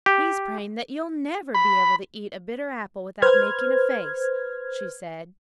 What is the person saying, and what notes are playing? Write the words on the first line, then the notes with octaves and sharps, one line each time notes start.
"He's praying that you'll never be able to eat a bitter apple without making a face," she said.
G4
B5
B4 C5 F6 G#6